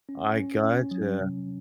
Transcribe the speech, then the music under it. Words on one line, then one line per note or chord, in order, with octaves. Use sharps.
I gotcha.
C#4
C#4
C#4
F#3
C3